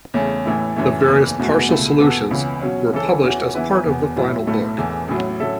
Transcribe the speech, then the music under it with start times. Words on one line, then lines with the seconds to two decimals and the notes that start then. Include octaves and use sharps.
The various partial solutions were published as part of the final book.
0.14 E2 C#3 A3 C#4
0.46 A1 A2 E3 A3 E4
0.76 F#2 E3 A3
1.07 F#1 E2 E3
1.38 F#1 E2 B2 A3 F#4
1.69 C#2 B2 A3
2.00 E2 B2 B3 A4
2.31 C#2 C#3 E3 B3
2.61 B2 F#3 C#4
2.93 C#2 C#3 E3 C#4 A4
3.24 E2 E3 C#4 F#4
3.55 E2 E3 B3 E4 B4
3.85 E1 E2 B2 B3
4.16 A2 F#3 A3 E4
4.47 B1 A2 A3 E4
4.78 E1 E2 E3 B3 A4
5.08 A1 A2 F#3
5.40 A2 F#3 C#4 A4 E5